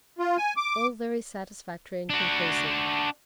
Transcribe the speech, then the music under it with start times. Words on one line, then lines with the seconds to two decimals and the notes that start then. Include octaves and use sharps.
All very satisfactory and conclusive.
0.19 F4
0.37 G#5
0.57 D6
2.10 D4 F#4